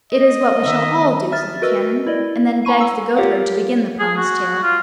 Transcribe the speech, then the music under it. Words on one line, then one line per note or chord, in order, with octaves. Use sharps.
"It is what we shall all do," said the canon; and then begged the goatherd to begin the promised tale.
D#5
D#3 B3 E5
E5 F6 A6
F#4 A#4 B4 D#5 E6
E4 D5 D#5
G#5 A#5 B5 C#6 D#7
E6
F4 G4 A#4 C#5 F5 F#5
G#4
F#4
F4